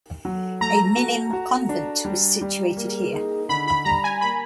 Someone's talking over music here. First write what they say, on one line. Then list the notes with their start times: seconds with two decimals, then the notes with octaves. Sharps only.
A Minim convent was situated here.
0.25 F#3
0.61 A3 A#5
0.97 F#4
1.33 F#4
1.69 D4
2.05 G3
2.41 G3
2.77 A#3
3.14 D#4
3.49 D3 B5
3.68 B5
3.85 G3 A#5
4.04 G#5
4.21 A#3 B5